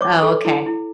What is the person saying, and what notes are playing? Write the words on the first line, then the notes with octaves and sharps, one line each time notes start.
Oh, okay.
C#5 D6
A4
E4
E4